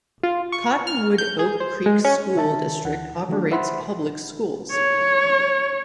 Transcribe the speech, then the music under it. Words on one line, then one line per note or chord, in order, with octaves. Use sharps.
Cottonwood-Oak Creek School District operates public schools.
F4
C#6
F6
G6
G#4
C5
G#3
C#4
D#3 E5 A5
D2 E3 F#5
D#3 F#3 A3 D4
C5 E5 F#5 B5 C6
C#5